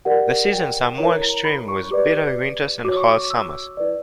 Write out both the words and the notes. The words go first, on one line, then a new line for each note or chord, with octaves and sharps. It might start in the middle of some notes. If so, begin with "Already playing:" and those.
The seasons are more extreme with bitter winters and hot summers.
G4 A#4 D5 F#5
G5
E4 A#4 C#5 A#5
A#5
B5
C#6
G4 B4 D5 D6
F#4 C#5 D6
C#6
D6
E6
E4 B4 D5